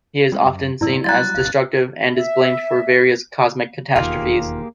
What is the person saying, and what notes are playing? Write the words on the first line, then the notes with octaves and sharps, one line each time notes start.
He is often seen as destructive and is blamed for various cosmic catastrophes.
G3 G#3 C4
F#2
G2 A#2 B3 E4 D5 E6
F#3 G3 F#4 D5 A#5 F#6 A6
F#1 C#2 B2 G4 F5
E5
E1 D#2 A#3 F4 G4 G#4